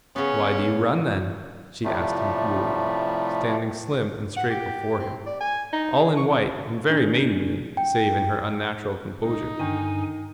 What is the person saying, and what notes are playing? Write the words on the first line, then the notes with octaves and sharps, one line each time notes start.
"Why do you run, then?" she asked him coolly, standing slim and straight before him, all in white and very maidenly save in her unnatural composure.
C#3 B3 C#4
A2 C3 F3 G3 A3
F#5
G4
C4
D5
G#5
D#4
G#4
C#6
D4
G5
C#2 D#4
G2 D3 D#3 G#5